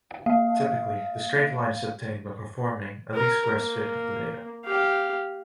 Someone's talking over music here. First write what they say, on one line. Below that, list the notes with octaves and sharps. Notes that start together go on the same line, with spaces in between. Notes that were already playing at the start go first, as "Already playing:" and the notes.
Typically, the straight line is obtained by performing a least-squares fit of the data.
A#3 F5
A#4
A#3
G4 F5